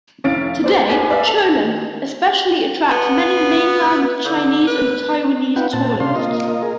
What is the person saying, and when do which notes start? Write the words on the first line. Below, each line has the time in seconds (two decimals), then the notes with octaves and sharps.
Today, Cholon especially attracts many Mainland Chinese and Taiwanese tourists.
0.24 F1 C#4 E4 F5 A6 D7
0.64 B4 C5 D5
0.89 D#2 B3 G#5 B6 D#7
1.09 B4 D5 E5 F5
1.27 A4
1.61 D#3
2.91 B3
4.25 D3
4.67 B4
5.56 D#4 F4 B4 F#5 G5
5.73 A#2 C4 A5
6.00 C3 C#4 D4 F5 C6
6.16 A#3 F4 D#5
6.62 G#4 A#4